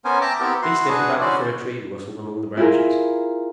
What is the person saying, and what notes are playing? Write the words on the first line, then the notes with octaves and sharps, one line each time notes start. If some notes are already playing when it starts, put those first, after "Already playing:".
They snuffed about the Fir Tree, and rustled among the branches.
B3 C#4 A#4 C5 G#5
E5 G5 A5 A#5 D6
B3 C4 E4 G4 A#4 G5
E4 F#4 C6
D4 F#4 G#4 B4
C#4 E4 F#4 C5 D5
E4 F4 G#4 A#4